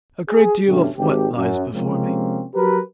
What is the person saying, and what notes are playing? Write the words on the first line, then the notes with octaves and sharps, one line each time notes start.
"A great deal of what lies before me?"
G#4
G2 B2 D3 G3 A3 C#4
G#1 G4
F#2
C3 F3 G#3 A#3 C4 C#4
F#3 F#4 G4 A#4 B4